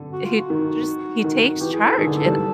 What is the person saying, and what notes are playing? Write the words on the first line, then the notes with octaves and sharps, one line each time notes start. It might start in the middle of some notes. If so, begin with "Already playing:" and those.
he just he takes charge, and
Already playing: D3
F#4
F4
F#4
D#3
D#3
E3 G4
G#4
A4
D#3 G#4
D3
E3 A4
G3